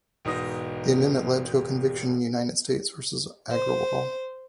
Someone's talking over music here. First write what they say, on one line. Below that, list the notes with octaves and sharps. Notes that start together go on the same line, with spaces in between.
The amendment led to a conviction in "United States versus Agrawal".
E1 G#2 B3 D#4 D#6 A#6
C5